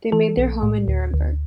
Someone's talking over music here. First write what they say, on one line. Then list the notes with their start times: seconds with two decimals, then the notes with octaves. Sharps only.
They made their home in Nuremberg.
0.12 E3 A4
0.38 B1
0.63 A2
0.88 D2
1.14 D2